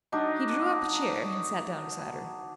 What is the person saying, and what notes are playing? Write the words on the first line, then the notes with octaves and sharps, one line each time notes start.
He drew up a chair and sat down beside her.
F#3 D4 D#4